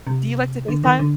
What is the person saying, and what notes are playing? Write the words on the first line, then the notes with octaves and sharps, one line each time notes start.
Do you like to FaceTime?
C3
D3
D#3
D3